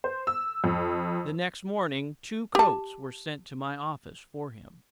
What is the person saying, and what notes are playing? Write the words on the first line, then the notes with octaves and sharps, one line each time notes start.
The next morning two coats were sent to my office for him.
C5
E6
F2
G4 A5